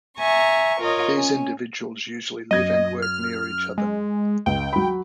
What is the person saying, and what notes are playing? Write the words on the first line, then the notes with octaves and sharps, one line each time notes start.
These individuals usually live and work near each other.
E5 G#5 A#5 C#6
F4 A#4 C#5 D#5
C#4
F#2 D#5 G#6
F6
G#3
C#2 G5
F#3 B5